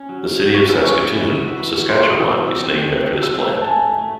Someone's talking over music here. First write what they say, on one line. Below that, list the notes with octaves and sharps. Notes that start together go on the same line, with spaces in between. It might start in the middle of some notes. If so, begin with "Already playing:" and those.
The city of Saskatoon, Saskatchewan is named after this plant.
Already playing: C#4
F#3
F#3
F#3
F#3 C#6
C#4 E6
C#4 C#6
G#4
E4
E4
F#4
E3
F#4
E3 C6
C#6
E3
D#6
E3 E6
F#3 E6
C4
C4
A3
C4
F#3
C4 E6
A3
A3
A5
A3 G#5
A3
A3